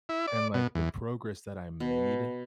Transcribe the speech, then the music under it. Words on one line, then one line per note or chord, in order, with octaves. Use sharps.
and, like, the progress that I made
E4
D5
B2
E2
B2